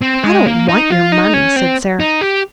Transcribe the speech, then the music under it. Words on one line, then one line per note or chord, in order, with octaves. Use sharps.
"I don't want your money," said Sara.
C4
G#3
A#3
D#4
F4
D#4
C#4
C4
D#4
G4